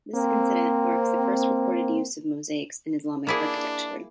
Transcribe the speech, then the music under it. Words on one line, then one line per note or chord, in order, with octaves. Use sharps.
This incident marks the first recorded use of mosaics in Islamic architecture.
A#3 C4
A#3 D4 E4 G#4